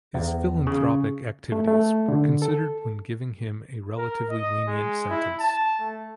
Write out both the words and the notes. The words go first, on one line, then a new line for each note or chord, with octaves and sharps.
His philanthropic activities were considered when giving him a relatively lenient sentence.
E2
C#3
A3
A3
D3
A4
A#4
D#5
G#3
E4
A5
A3